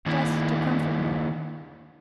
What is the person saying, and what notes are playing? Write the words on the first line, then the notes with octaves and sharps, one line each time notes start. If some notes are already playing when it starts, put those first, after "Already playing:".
Just to comfort me.
D#3 A#3 D4 E4